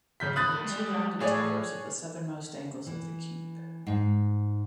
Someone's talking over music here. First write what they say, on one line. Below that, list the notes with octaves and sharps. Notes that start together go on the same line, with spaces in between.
There were two rounded towers at the southernmost angles of the keep.
C#3 G6 B6
D#2 B5 D#6 F#6 A6
G3 G#3
A2 G#4 C#5 D5
E3
G#2